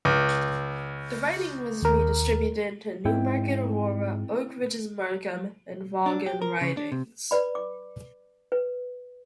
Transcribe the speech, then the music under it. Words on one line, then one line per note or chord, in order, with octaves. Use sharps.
The riding was redistributed into Newmarket-Aurora, Oak Ridges-Markham, and Vaughan ridings.
C#2
D#2 A#4
G#2 C4 E4 G5
D4
G4
A#4
C#3
D4
C3
B4 D5 B5
D6
B4